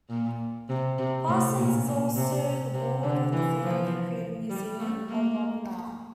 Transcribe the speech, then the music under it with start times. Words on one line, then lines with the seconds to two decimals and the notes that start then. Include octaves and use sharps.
Parsons is also on the board of the family created Museum of Modern Art.
0.09 A#2
0.69 C3
0.99 C3
1.28 A2
1.57 A#2
1.86 A#2
2.16 C3
2.74 C3
3.03 D3
3.33 E3
3.63 F3
4.49 G3
4.79 A3
5.09 A#3